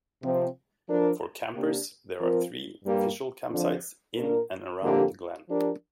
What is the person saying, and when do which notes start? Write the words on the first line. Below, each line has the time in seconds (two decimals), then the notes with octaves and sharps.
For campers, there are three official campsites in and around the Glen.
0.22 C3 F3 C4
0.88 F3 D4 A#4
1.54 C3 A#3 D4 G4
2.18 F3 C4 F4 A#4
2.84 G2 G3 A#3 G4
3.50 F2 D3 F3
4.15 A#2 A#3 D4 A#4
4.81 F2 D3 A#3 D4 G4
5.47 F3 D4 G4 A#4